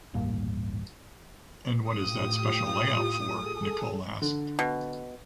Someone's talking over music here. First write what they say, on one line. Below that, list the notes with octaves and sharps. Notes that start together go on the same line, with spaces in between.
And what is that special layout for ? Nicholl asked.
D#1 A1 G2 A#3
A2 F4 G4 D#6
G#4 A4
D3
B2